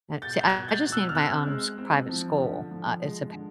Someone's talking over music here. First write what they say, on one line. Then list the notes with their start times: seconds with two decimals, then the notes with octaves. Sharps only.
Uh, see, I just need my own s private school, uh, it's ap
0.22 B2 G6 A6
0.41 G6
0.46 F#6 G#6
0.54 B2
0.68 G6 A6
0.85 B2
0.92 E6 F#6
1.09 F6
1.15 C4 E6 F#6
1.47 G#3
1.78 C4
2.09 F3
2.40 D3
2.71 F3
3.02 G#3
3.34 D3